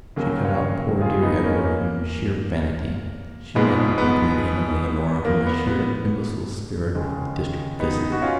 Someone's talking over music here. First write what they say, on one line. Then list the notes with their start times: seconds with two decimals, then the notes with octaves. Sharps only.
She cut out poor dear Edward from sheer vanity; she meddled between him and Leonora from a sheer, imbecile spirit of district visiting.
0.16 D#2 C#3 F#3 A#3
0.45 C#5 F5
1.01 F4 G#4
1.23 B3 D#4
1.44 A#3 C#4
1.65 A#3
3.55 G#2 F3 G#3 B3
3.98 B3
5.25 A#3
5.46 B3
5.67 B3
6.95 D#2 C#3 G#3
7.80 B3 D#4
8.12 F#4
8.22 C#4 F4